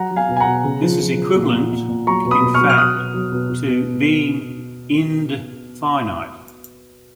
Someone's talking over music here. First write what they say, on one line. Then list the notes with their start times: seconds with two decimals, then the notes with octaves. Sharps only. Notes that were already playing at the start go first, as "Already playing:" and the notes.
This is equivalent, in fact, to being 'ind-finite'.
Already playing: F#3 F#5 A#5
0.11 F#3
0.16 F5 G#5
0.29 B2
0.36 G#5
0.40 F#5 A#5
0.46 B2
0.64 C#3
0.82 F3
1.00 F3
1.17 F3
1.36 A#2
1.53 A#2
1.72 A#2
1.89 A#2
2.07 F#3 A#5 C#6
2.25 B2
2.31 B5 D#6
2.43 B2
2.54 C#6 F6
2.61 F#3
2.70 F6
2.78 F#3 D#6 F#6
2.96 B2
3.14 F#3
3.32 B2
3.50 B2
3.68 B2